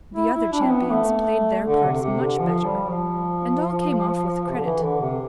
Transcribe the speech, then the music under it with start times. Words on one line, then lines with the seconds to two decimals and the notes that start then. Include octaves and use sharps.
The other Champions play'd their Parts much better; and all came off with Credit.
0.15 E4
0.34 E4
0.52 D4
0.63 C4
0.72 B3
0.90 A3
1.66 D3
1.84 C3
2.02 C3
2.21 D3
2.40 F3
2.65 G3
2.89 F3
4.49 C3
4.57 D3
4.65 E3
4.83 D3
5.01 C3